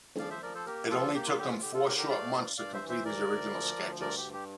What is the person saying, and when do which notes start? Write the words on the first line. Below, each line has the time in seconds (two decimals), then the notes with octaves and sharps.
It only took him four short months to complete his original sketches.
0.18 F3 D5 F5
0.30 C5 E5
0.43 F3 A#4 D5
0.55 A4 C5
0.66 A#3 G4 A#4
0.90 F3 F4 A4
1.14 A#3 G4
1.26 F4
1.38 D3 G4
1.50 F4
1.62 D3 G4
1.74 F4 A4
1.85 D3 G4 A#4
1.98 G4 A#4
2.10 A3 D5 F5
2.34 G2
2.57 G2 D5 F5
2.74 C5 E5
2.81 E3
2.89 C5 E5
3.05 D2 A#4 D5
3.29 D2
3.53 F3
3.77 D2
4.01 G2 A#4 D5
4.17 G4
4.25 G2
4.33 G4